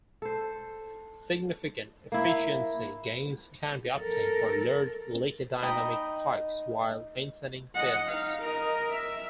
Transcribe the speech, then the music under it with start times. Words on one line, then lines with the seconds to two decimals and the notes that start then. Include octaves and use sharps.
Significant efficiency gains can be obtained for large leaky dynamic pipes, while maintaining fairness.
0.22 A4 C5
2.12 A#3 E4
4.00 A4 A#4
5.62 D#4 D#5 G5 B5
7.75 D#5 F#5
8.08 D#4 F5
8.41 A#4 D#5
8.91 E5